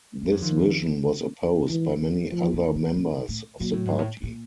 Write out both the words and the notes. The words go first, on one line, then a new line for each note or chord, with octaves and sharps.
This vision was opposed by many other members of the party.
G2
F#2
F2 D#3
G#2 E3
A2 F3
A#2
B2
A#2
A2
A#2 F#3
A2
G#2
A2
A#2